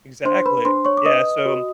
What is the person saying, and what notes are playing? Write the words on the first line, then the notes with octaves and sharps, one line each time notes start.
Exactly. Yeah, so
D4 C5 C6
B4 B5
D4 C5 C6
C#5 C#6
D6
B4 D#5 D#6
F#4